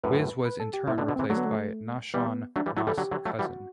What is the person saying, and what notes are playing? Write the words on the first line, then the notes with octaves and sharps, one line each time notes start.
Wiz was in turn replaced by Nashawn, Nas' cousin.
F#2 A2 B4
B4
A4
G4
A2 C3 E4
B2 D3
D4
B2 D3
C3 E3 C4
D3 F#3 A3
B3
A3
E3 G3 B3
F#3 A3 D4
E3 G3
F#3 A3 E4
E3 G3 A4
D3 F#3 G4
D3 F#3
F#3 A3
E3 G3 F#4